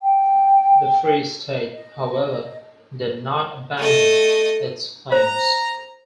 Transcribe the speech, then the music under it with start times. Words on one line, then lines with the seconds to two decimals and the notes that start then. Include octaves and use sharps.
The Free State, however, did not abandon its claims.
0.02 G5
1.73 D#5
3.78 A3 D#5
5.12 C5 A#5